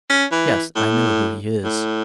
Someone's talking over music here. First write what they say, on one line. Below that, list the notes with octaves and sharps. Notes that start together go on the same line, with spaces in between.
"Yes; I know who he is."
C#4
E3
A2
A2